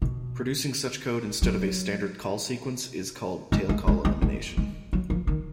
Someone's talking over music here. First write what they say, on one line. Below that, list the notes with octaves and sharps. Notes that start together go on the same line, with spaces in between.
Producing such code instead of a standard call sequence is called tail call elimination.
B2
F#3
G#3
G#3
G#3
G#3
G#3
G#3
F#3
F3
D#3